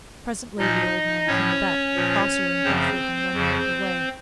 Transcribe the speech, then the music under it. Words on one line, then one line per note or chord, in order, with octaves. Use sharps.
Presently the old man came back, crosser and gruffer than when he went away.
A#2 F3 D#4 D#5
A2 F3 C#4 C#5
A#2 F3
F#2 C#3 F3 C4 C5
F2 C#3 F3